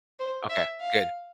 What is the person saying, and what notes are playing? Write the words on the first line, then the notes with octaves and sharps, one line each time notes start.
Okay, good.
C5
E5
F5